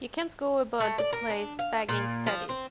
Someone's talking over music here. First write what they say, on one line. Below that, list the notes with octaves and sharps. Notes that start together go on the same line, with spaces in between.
You can't go about the place bagging studies.
A3
D5
A#4
D4
F5
A#2
F3
C4